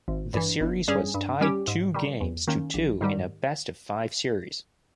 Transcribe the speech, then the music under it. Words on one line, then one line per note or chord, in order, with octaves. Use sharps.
The series was tied two games to two in a best-of-five series.
G#1
G2 E3
G1
G2 G3 C#4 G#4
G2
G3 C#4 G4
G#2
D#3 G3
E2
D#3 A#3 C#4
A#1
G#2 D#3 G3